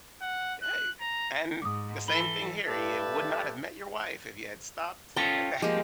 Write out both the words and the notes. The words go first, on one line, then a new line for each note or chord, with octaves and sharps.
Hey, y and the same thing here. You would not have met your wife if you had stopped at that.
F#5
F#6
A#5
G#2 D6 D#6
E3 A4 B5 G7
G2 A3 G4 B4 E5 A5
C#4 F4 A4 G5 A#5
F3 G#3 A#3 G4